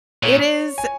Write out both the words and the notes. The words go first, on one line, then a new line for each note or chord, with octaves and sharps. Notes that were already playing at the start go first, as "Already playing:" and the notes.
It is
A#2 C#5
G#5